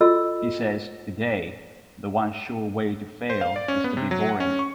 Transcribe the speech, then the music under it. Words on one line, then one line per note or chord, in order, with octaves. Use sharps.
He says, Today, the one sure way to fail is to be boring.
F4 F#4 A4 D#5 E6
C5
F5
D5
C#4
B3
C3
F#3
F#5
C#4
C#6